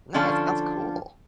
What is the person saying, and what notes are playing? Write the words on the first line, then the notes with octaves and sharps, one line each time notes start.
Nice, sounds cool.
D3 F3 C#4 D4 F4 A4